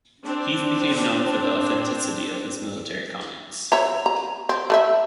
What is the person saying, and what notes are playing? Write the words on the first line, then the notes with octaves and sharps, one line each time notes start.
Heath became known for the authenticity of his military comics.
C4 D4
C#5 E5 A#5
A#5
C4
A3 A#4 E5